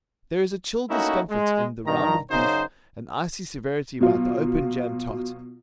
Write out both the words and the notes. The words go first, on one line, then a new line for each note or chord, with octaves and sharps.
There is a chill discomfort in the round of beef, an icy severity about the open jam tart.
A3 A#3 C#4 D#4 E4 F#4
G#3
G2 D#3 A#5
F#2 C#3 F#3 D#4 C5
B2 F#3 F4